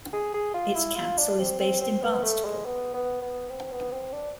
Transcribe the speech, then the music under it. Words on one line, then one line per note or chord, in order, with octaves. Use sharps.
Its council is based in Barnstaple.
G#4
G#4
F4
E4
F4
D4
C4
C4
C4
B3
A3
G#3
B3
B3
B3
C4
B3
C4
D4